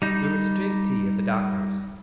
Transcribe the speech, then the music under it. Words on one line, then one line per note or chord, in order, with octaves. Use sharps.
We were to drink tea at the Doctor's.
G3 D#4